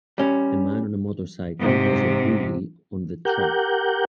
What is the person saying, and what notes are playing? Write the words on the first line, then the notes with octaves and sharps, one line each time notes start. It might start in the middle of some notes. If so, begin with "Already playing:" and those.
A man on a motorcycle does a wheelie on the track.
G3 C#4
G#2 C3
G4 A#4 F#5 G6